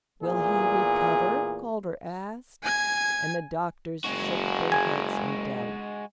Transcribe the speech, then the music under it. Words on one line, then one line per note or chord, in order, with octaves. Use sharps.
"Will he recover?" Calder asked, and the doctors shook their heads in doubt.
E2 A#2 G#4
G#5 G#6
F#1 G#3 F#4
G#5